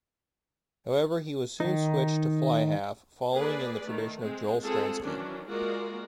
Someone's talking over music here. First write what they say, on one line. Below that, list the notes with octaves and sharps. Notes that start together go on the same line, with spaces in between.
However, he was soon switched to fly-half, following in the tradition of Joel Stransky.
D#3 D#4
A#3 G#4 B4 D5
D#3 A3
G#3 C4
G#3 C4 F4 G#4 A4
D#3 E3 F#3 C#4 D4
G#3 A#3 F4 F#4 A#4 D5